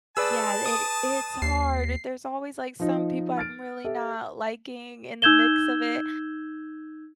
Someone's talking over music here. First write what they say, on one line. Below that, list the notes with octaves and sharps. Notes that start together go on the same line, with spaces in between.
Yeah, th it it's hard, it there's always, like, some people I'm really not liking in the mix of it.
G#4 B4 D5 A5 E6
D#6
D#2 C7
F3 D#4
F6 A6 D7
G4 A4 E5
D#4 E6 G6 G#6 E7 G7